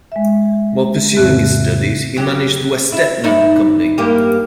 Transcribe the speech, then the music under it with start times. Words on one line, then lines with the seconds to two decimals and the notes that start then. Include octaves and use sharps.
While pursuing his studies, he managed the Westetner Company.
0.12 G#3 E5
1.16 F2 A2 C#3 C4 E5 F#6
2.16 F#3 G4
2.92 E4
3.24 G2 D#4 E4
3.98 G2 A#3 G4